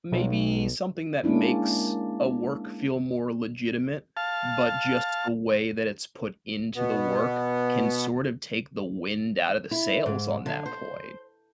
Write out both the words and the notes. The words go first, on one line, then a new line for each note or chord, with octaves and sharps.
maybe something that makes a work feel more legitimate, but just the way that it's put into the work can sort of take the wind out of the sails on that point
B1
G#3 A#3 C#4 D4 E4
F5 A5
B2 B3
E4
G#2
D3
C5